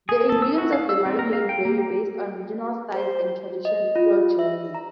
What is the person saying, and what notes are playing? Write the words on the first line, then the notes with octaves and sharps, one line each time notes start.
The ingredients of the marinade vary based on regional styles and traditions throughout Germany.
G#4
A4
E6
F#4
F5
E6
C4
A#4
F5
G5
A#3
A#3
C5
D#5
F4
E5
A#5